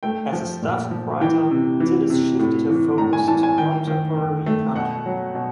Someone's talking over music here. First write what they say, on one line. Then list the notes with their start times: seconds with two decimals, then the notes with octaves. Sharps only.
As a staff writer, Tillis shifted her focus to contemporary country.
0.03 A3 G5
0.33 F3
0.62 A#2
0.91 F3
1.21 E3 G5
1.51 C3
1.80 E3
2.10 C3
2.39 A2
2.69 E3
2.98 A2 A#5
3.13 G#5
3.28 E3 A5
3.43 G#5
3.58 D#3 G5
3.87 D#3
4.17 D#3
4.46 A3
4.76 B2 F#5
5.06 F#3
5.35 B2